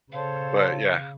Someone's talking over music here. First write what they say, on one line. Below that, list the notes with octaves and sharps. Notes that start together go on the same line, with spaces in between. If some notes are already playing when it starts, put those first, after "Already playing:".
but, yeah.
C#3 A4 C5 C#5 F5